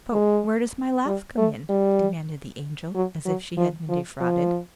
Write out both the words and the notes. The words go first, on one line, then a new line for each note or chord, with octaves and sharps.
"But where does my laugh come in?" demanded the Angel, as if she had been defrauded.
G#3
G3
A3
G3
F#3
F#3
F3
F3
F3